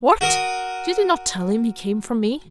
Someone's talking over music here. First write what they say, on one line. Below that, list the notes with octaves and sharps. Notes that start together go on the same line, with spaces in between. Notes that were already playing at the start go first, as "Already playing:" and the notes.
"What! did he not tell him he came from me?"
F#4 A#4 D#6